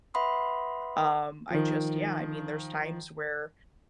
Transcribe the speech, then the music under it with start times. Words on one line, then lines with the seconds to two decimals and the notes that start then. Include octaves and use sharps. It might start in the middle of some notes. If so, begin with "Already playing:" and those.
um, I just yeah, I mean, there's times where
0.14 B4 E5 F#5 B5 C6 D#6
1.50 D#3 F3